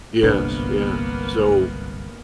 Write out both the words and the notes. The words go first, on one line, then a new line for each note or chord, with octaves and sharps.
Yes, yeah, so,
G1 C2 G#2 A#3 B3 D4 B4